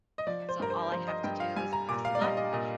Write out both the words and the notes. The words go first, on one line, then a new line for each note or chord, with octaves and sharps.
so all I have to do is press a button,
D#5
F3 D5
C5
G2 A#4
C5
F3 C5
D#5
G2 G5
F5
G3 G#5
A#5
A#2 D6
F5
D5
G3 D#5
D#5
A#2 D#5